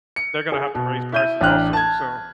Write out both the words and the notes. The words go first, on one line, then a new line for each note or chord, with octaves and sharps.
they're gonna have to raise prices also. So,
C#7
G#4
B2
E4 G6 D#7
A1 D4 G5 F6 F#6
A5 G#6